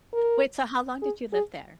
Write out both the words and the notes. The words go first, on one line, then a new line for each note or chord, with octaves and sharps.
Wait, so how long did you live there?
A#4
G#4
G#4